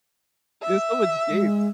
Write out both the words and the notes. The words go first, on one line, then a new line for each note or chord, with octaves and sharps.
There's so much games.
E5
G#3